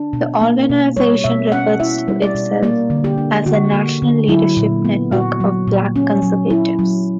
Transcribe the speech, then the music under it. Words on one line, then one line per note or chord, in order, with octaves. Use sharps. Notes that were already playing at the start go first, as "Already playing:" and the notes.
The organization refers to itself as the National Leadership Network of Black Conservatives.
Already playing: D4
B2
A#3
B2
G3 C#5
B2 E5
C#4 F#5
E4 E5
G3
D5
B2
A#3 D5
D3
G4
D4
D3 F#4
A#3
D3
F#3 E4
A#2
B3
A#2 F#4
F#3
A#2
C#4
F#3
E4
F#3